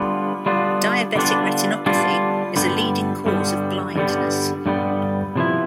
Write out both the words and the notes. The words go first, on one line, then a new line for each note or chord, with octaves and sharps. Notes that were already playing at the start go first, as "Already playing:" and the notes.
Diabetic retinopathy is a leading cause of blindness.
Already playing: D3 G3 B3 D4 F4
D3 G3 B3 D4 F4
D3 G3 B3 D4 F4
D3 G3 B3 D4 F4
G2 D3 G3 B3
G2 D3 G3 B3
G2 D3 G3 B3
G2 D3 G3 B3
C3 F3 B3 E4